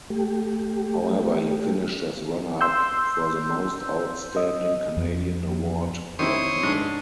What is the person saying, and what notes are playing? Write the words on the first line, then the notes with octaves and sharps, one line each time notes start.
However, he finished as runner up for the Most Outstanding Canadian award that year.
A3 G4
C6 E6 G6
D#5
F2
D#3 C4 E4 C#5 C6 D#6
G#2 D4